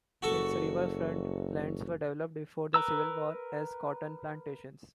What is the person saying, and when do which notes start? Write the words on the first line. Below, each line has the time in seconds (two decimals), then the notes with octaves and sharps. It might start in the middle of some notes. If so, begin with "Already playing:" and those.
Its riverfront lands were developed before the Civil War as cotton plantations.
0.22 F#1 F#4 A4 C#6
2.74 A#4 B4 A#5 E6